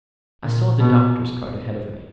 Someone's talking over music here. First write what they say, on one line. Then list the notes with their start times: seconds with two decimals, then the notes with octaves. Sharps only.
I saw the doctor's cart ahead of me.
0.44 A#2
0.80 B2